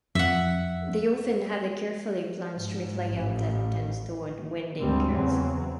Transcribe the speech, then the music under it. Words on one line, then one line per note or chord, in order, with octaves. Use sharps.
They often have a carefully planned street layout that tends toward winding curves.
F2 E5 F#5
G#2
A1
D2 G#2 G3 C4
E2 C#3 F#3 C4